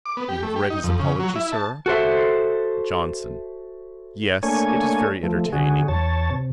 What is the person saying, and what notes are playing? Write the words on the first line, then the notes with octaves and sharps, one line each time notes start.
'You have read his apology, Sir?' JOHNSON. 'Yes, it is very entertaining.
D6
B3
G4
A3
G4
D#4
F2
C#3
F#3
E4
A5
F#4 A4 C5 E5
A3 A#3 D4 C#5 G#5
F3 A3
D3 F#4 G#4
E2 C#5 A5
C3